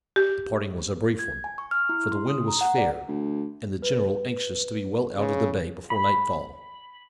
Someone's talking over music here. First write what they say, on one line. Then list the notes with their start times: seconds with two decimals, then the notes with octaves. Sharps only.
The parting was a brief one, for the wind was fair, and the general anxious to be well out of the bay before nightfall.
0.16 G4
1.19 G#6
1.44 G#5
1.58 C#6
1.71 F6
1.89 E4
2.12 C6
2.28 D#6
2.48 A#5
2.61 F#5
2.78 D5
3.08 D2
3.82 B4
5.17 C#3
5.90 B5